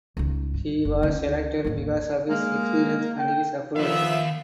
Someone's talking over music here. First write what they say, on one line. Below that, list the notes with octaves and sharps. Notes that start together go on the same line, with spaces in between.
He was selected because of his experience and his approach.
C#2 D#4
G2
F#1
D2 C#4
A1 D#2
G#3 A#3
G5
D#3 F3 B3 E5 F5